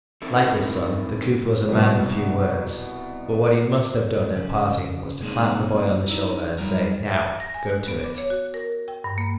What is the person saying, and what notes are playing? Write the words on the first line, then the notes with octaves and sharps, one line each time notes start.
Like his son, the cooper was a man of few words; but what he must have done at parting was to clap the boy on the shoulder, and say: "Now, go to it!"
C4 D#4 E4 A4 A#4
C2 B2
C#3
C3 G#3 A#3 D4 D#4
D#4 E4
F#3 G3 D#4 A#4
E5
A#6
G#5
F#6
B3
D6
C#5
F#4
A#4
G5
G2
A#3